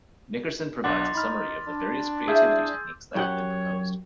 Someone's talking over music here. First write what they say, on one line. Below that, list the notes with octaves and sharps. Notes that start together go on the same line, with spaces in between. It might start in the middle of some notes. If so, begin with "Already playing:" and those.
Nickerson provides a summary of the various creativity techniques that have been proposed.
B1 D4 F#5 C6 D6 A6
D#4 B5 F6
D4
E4 G#4 E5 F5 E6 G6
F#2 G4 C#5 F#5